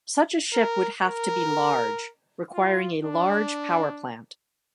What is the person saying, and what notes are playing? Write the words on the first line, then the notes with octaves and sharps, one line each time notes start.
Such a ship would have to be large, requiring a large power plant.
A#4
A#4
F4
D4